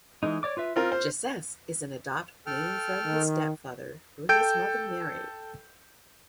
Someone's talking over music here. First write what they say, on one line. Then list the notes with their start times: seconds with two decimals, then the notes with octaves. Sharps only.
Gessesse is an adopted name from his step father who his mother married.
0.23 E3 G#3 D#4
0.43 C#5 D5 D6
0.57 F4 B4 E5
0.76 C4 F4 A#4 F6
0.92 C5
2.46 A4 G5 F6
3.06 D#3
4.29 A4 G5 G6 D7